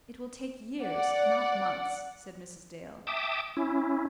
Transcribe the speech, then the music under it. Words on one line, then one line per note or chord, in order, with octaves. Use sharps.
"It will take years,--not months," said Mrs. Dale.
D5 F#5
E5 G5 A5 D6 D#6
C#4 E4